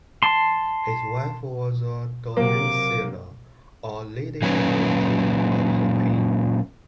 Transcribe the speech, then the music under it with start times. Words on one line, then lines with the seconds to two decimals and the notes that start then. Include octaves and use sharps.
His wife was a "damicellae" or Lady-in-waiting, of the Queen.
0.23 A5 C6
2.37 C3 F#3 A#3 D6
4.42 A#2 F#3 C#4 B4 C#5